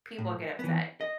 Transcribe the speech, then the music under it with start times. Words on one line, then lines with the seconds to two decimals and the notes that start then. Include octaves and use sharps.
people get upset.
0.18 A2
0.59 E3 B3
1.01 D#5